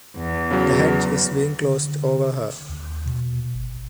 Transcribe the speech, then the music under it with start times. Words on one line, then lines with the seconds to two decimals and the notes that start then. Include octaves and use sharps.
The hedge is being closed over her.
0.17 E2
0.51 C#3 F#3
1.63 D3
2.69 D#2
3.06 B2
3.54 G1